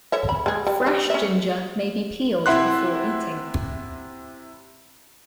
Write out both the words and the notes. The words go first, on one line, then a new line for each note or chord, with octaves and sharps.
Fresh ginger may be peeled before eating.
A4 C#5 E5
B5
G#3 G#4
G3
G3 D4
C#4 E5
C3 E4 E5 F#5 C6 F#6